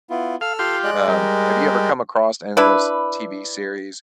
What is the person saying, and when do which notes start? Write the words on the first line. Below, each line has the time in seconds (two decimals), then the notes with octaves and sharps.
um, have you ever come across any of those TV series
0.10 B3 E4 F4
0.41 A4 F5 E6 F6
0.59 F4 G4 C6
0.84 G#3 D5 D6 F#6
1.08 G3 A#4
2.57 D4 E4 B4